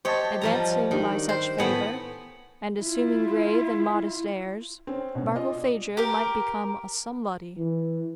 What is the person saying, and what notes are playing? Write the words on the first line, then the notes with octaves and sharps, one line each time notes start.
Advancing by such favour, and assuming grave and modest airs, Barkilphedro might become a somebody.
G4 C5 C#5 D#5 A5
F3 G3 A#5
D#3 D4 G4 A#4
C5
A2 B3 G5 G#5 B5 D#6
E4 F4
C4 C#4
B2 C#4
F4 D5 D#5
G4 A#4
E3